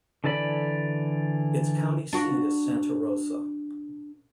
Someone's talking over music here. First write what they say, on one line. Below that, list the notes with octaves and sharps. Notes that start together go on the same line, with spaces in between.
Its county seat is Santa Rosa.
D3 E3 A4 D5 B5
D4 F#4